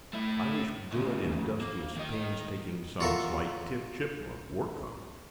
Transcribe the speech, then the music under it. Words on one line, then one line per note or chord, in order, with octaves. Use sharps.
I wish good, industrious, painstaking sons like Tip Chipmunk WERE common.
A3 E4
D2 C#3
A#3
D#3 D#5
F4 F#4 A4 A#4 E5